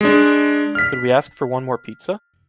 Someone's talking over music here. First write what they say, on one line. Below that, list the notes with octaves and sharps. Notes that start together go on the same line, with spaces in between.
Could we ask for one more pizza?
G#3 D4
F6 B6